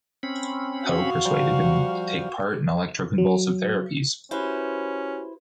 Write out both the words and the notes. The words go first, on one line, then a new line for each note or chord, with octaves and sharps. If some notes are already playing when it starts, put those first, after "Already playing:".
Hoe persuaded him to take part in electroconvulsive therapies.
C4 C#4 B5
F#4 F5
F3 G3
F#3
C#4 E4 F#4 G4 B4 C5